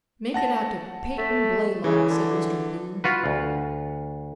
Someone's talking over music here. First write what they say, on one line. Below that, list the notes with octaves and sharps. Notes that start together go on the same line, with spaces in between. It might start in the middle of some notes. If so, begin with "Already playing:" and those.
"Make it out to Peyton Blaylock," said Mr. Bloom.
F#5 A5 A#6
A3
C#3 E3
D3
F4 F#4 B4
D2